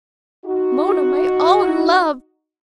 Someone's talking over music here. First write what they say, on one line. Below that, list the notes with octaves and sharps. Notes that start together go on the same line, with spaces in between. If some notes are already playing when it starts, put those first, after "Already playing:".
Mona, my own love.
D#4 F#4